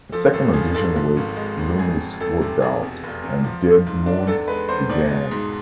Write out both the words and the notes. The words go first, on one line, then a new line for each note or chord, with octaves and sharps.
A second audition with Loomis worked out, and Dead Moon began.
F3 A4
G#1 A4
F3 G#4
G#2 A4
G#2
G#1
G#3
G#1
F2 G#4
F2
F2 A4
C3
E2 G#4
B2
F1
E2
F3
F3
G#2
D4
E2 A4
G#3 B4
E2 C5
B2 D5
G#3
G#2